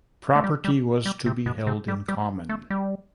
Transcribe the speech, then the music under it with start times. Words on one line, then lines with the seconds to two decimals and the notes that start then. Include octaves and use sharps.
Property was to be held in common.
0.35 A3
0.44 G3
0.65 G3
1.06 G3
1.26 C3
1.46 B2
1.67 C3
1.88 G3
2.09 G3
2.49 A3
2.70 G3